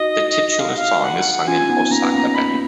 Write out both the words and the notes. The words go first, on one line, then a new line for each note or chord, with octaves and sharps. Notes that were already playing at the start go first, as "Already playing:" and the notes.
The titular song is sung in Osaka-ben.
Already playing: D#4 F#4 D#5
F5
F#5
F5
F#5
C#4 F4 G#5
B3 D#4
A#3 C#4 A#5
B3
A#3 C#4
B5